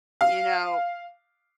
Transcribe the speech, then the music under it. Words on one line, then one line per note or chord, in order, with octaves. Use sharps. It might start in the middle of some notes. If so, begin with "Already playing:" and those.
You know,
F5